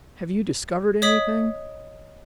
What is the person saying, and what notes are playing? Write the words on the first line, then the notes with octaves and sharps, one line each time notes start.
"Have you discovered anything?"
C#5 D#5 D#6 B6 F#7